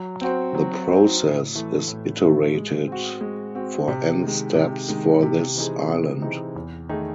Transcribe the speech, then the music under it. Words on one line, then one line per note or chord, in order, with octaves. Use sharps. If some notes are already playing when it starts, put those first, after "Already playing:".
The process is iterated for n steps for this island.
Already playing: F#3
C4 F#4 C5
F#3
C4 F#4 C5
A2
E3 A3
A2
E3 A3
G#3
C4 F#4
G#3
C4 F#4
C3
D#3 G#3
C3
D#3 G#3
C3
E3 C4 D#4 G#4
C3
E3 C4 D#4 G#4
E2
D#3 A3 D#4 G#4